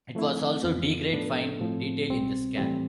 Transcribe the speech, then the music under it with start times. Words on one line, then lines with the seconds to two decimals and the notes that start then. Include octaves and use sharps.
It will also degrade fine detail in the scan.
0.15 F3 A3 C4 E4
0.63 F2 E3 B3 F4
1.12 A2 F3 B3 D4 A4
1.61 A2 F3 C4
2.09 C2 B2 G3 C4
2.57 A2 E3 G3 C4